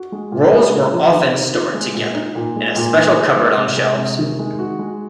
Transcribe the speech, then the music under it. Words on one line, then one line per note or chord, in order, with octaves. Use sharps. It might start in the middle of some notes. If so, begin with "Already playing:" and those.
Rolls were often stored together in a special cupboard on shelves.
Already playing: F#4
G#3
A#2
G#3
A#2
F3
D#3
C4
F4
G#3
A#2
D#4
A#2
G#3
A#2
D#4
G#4
G#3
C3
G#3
C3
D#3
G#3
F#4
G#3